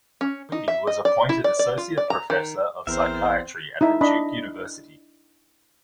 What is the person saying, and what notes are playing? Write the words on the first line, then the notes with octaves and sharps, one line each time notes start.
Tweedy was appointed associate professor of psychiatry at the Duke University.
C#4
D#4
E5
D#5
D5
E4
D5
D5
F4
D5
A#5
D#3
A1 E2 C4 A#4 C5 E5
D#4 E4 E5
D4 D#5 B5